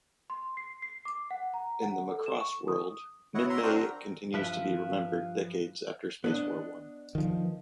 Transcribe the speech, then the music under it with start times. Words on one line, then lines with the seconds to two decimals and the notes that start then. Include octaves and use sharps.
In the "Macross" world, Minmay continues to be remembered decades after Space War One.
0.30 C6
0.57 C7
0.82 C7
1.05 D6
1.31 F#5
1.54 A#5
1.82 F#5
2.11 A4
2.26 E7
2.41 C#6
2.68 D#6
3.35 E4 C#5 D#5 F#5
3.50 E5 A#5 C6
3.63 C4 D4 F#4 A#4 G5
3.77 A#5
4.34 G2 F3 B4 E5 F5
6.24 B3 D4 D#5
7.15 D#3 F3